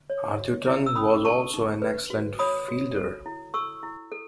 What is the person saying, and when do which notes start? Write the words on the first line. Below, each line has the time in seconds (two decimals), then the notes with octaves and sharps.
Arthurton was also an excellent fielder.
0.10 C#5
0.39 F#4
0.67 E4
0.86 E6
0.95 C#4 B5 D#6
1.25 A4 A5 C#6
1.54 D#4
1.82 B4
2.10 F#4
2.39 C#5 B5 D#6
2.68 F#4
2.96 A4
3.26 E4
3.54 A4 C#6 E6
3.83 E4
4.12 A4